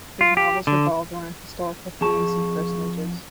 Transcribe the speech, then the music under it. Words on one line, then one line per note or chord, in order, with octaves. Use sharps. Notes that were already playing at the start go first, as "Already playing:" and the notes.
His novels revolved around Historical themes and personages.
F4
G4
D3
F2 G#4 A5 C#6